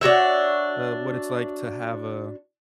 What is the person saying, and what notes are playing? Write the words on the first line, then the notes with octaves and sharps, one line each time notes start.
a what it's like to have a
D4 F#4 C#5 E5